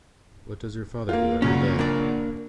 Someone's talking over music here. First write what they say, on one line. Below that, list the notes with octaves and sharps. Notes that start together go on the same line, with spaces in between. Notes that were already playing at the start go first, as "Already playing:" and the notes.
What does your father do every day?
A#3 F4
A#2 C#3 F#3 C#4
A#3 D4 D5